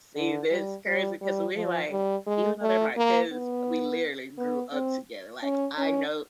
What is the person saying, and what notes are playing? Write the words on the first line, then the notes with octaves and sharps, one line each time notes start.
See, that's crazy, 'cause we like even though they're my cuz, we literally grew up together, like, "I know
D3
G3
G3
G3
F3
G3
G#3
A3
A#3
B3
B3
C4
C#4
C#4